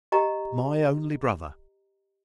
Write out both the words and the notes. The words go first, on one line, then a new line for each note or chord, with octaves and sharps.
My only brother!
G4 D#5 A#5